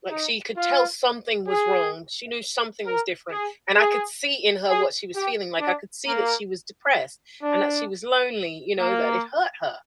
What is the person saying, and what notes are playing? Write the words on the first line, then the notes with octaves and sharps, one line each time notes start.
like, she could tell something was wrong. She knew something was different, and I could see in her what she was feeling, like, I could see that she was depressed and that she was lonely, you know, that it hurt her.
D#4
F4
G#4
A#4
G#4
G#4
G#4
G4
D4
A#3
D4
A#3